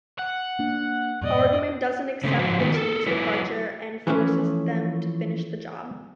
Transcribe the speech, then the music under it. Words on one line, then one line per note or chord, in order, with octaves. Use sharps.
Bergman doesn't accept the team's departure and forces them to finish the job.
F#5
A#3 D4
F2 G#2 B2 D5 D#5
C#3 A3 B3 C4
G#2 F3 F#4 C5
D#3 G#3 A3 B3 D#4 F4
A4 A#4
F#3 E4 B4
E3 F3 A3 C#4